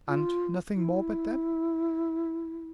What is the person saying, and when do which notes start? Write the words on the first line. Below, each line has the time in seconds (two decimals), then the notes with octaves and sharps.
"And nothing more but them?"
0.08 F4
0.76 E4